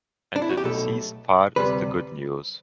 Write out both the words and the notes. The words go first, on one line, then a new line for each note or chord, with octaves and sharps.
And the deceased part is the good news.
D4
E4
F#4
G4
B1 B2 A3 A4
D2 C3 G3 B4